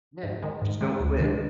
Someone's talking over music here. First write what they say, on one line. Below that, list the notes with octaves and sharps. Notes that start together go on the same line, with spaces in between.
Yeah. Just don't quit.
G#2
D#3 G#3
G#2
D#3 G#3
D2
C3 D#3 G#3 D4